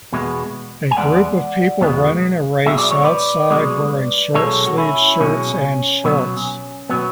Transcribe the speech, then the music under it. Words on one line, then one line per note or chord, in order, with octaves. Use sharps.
A group of people running a race outside wearing shortsleeve shirts and shorts.
E2 B2 G#3 B3
G#5
E2 B2 G#3 B3 D5 F#5
E2 B2 G#3 B3
B1 B2 G#3 E5
D5
C#5
B4 D5
B1 B2 G#3
B1 B2 G#3 A4 C#5
F#4
C#4 E4
B1 B2 G#3 C#4
B1 B2 F#3 B3
B2 F#3 B3